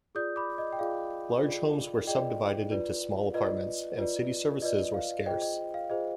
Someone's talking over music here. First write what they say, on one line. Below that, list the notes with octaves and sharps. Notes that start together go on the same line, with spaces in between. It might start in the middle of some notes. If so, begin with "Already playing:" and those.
Large homes were subdivided into small apartments and city services were scarce.
F4 G#4 D5 D#6 G6
B5 D6
D#5
G5
F4 G#4 D5 F5
F4 G#4 D5
F4 G#4 D5 D#5 G5
F4 B4 D5
F4 B4 D5 D#5
F4 B4 D5
F4 B4 D5 D#5
F5
F4 G#4 C5 D#5 G5
D#5
F5
F4 G#4 C5 D#5